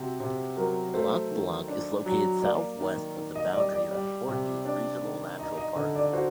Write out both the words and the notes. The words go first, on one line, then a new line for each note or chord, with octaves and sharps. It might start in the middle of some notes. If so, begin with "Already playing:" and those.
Lac Blanc is located southwest of the boundary of the Portneuf Regional Natural Park.
Already playing: C3 C4 F#4 G4
C3
F#3 A#4
A3 C5
D#3
D4
F#3
A#3 D5
D#3
D#3
D#5
G3 D5
D5
G3
C3
D4
D#3
D#4 D#5
D#5
D3 D#5
D5
F#4 C5